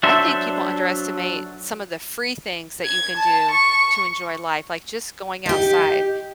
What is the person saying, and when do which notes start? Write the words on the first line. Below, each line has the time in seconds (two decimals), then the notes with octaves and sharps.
I think people underestimate some of the free things that you can do to enjoy life, like just going outside,
0.03 F#3 D4 A4 C5 E5
2.85 G#6
3.17 A5
3.51 C#6
5.46 D#4 G4